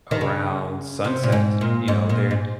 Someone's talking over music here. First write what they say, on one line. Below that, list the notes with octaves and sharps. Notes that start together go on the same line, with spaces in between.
around sunset, you know, they're,
D#3
C#3
C3
A#2
G#2
A#2
G#2
A#2
G#2